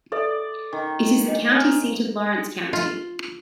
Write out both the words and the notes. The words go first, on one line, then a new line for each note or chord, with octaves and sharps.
It is the county seat of Lawrence County.
A4 B4 D5 E5
D#3
D4 D#5
A#4 C#5 G#5 D#6
F4